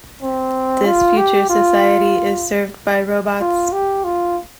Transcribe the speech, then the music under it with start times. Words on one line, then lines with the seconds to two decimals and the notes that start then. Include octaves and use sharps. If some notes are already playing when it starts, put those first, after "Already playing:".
This future society is served by robots.
0.22 C4
0.86 F4
1.17 G4
1.49 F4
3.41 F4
3.72 G4
4.04 F4